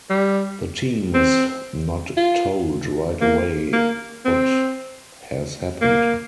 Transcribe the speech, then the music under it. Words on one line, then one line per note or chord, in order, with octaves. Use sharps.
The team is not told right away what has happened.
G3
C4
F4
A#3
A#3
C4
A#3